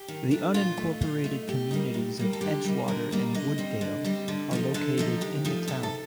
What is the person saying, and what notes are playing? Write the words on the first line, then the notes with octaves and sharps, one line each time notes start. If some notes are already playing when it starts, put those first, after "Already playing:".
The unincorporated communities of Edgewater and Wooddale are located in the town.
Already playing: G4
D#3
A3 D4
A#2 F4
A3 D#4
A#2 F4
A3 D#4
A2 G4
G3 A#3 D#4
A2
G3 A#3 D#4
A4
D3 G4
G3 A#3 D#4
D3 A#4
G3 A#3 D#4
D3 D#5
G3 C4
D3
G3 C4
D3
F3 A3 D#4
D3 A4
F3 A3 D#4
C3 G4
F3 A3 D#4
C3 A4
A4